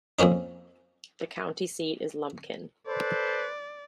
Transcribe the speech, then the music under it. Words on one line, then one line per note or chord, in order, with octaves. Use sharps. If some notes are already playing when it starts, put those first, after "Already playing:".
The county seat is Lumpkin.
F2 A#3 C#4 D#4
A4 B4 C5 D5